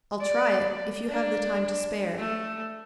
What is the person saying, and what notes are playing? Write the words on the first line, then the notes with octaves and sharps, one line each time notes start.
"I'll try it, if you have the time to spare."
D5
D4
A3